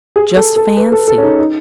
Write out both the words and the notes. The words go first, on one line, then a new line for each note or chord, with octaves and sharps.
Just fancy!
G#4
A4
A4
B4
A4
A4
C#4
D#4
D#4